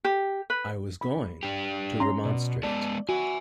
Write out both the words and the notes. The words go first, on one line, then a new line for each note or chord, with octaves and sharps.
I was going to remonstrate.
G4
B4
B5
D4 G4
C#4 A#5 C6
B2 D5
G#3 B3 D5 A5
F#4 E5 G#5